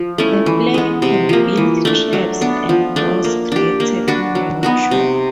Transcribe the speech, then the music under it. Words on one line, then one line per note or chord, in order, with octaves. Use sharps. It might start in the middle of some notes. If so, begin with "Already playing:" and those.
The player can build traps and doors, created in the workshop.
Already playing: F3
A3 C#4 E4
E3
G#3 B3
C3
F3 A#3
E3
A3 D4
F#3
B3 D4
F3
A3 D4
A#3
D4 G4
A#3
D4 F#4 B4
F#3
B3 D#4 F#4
C3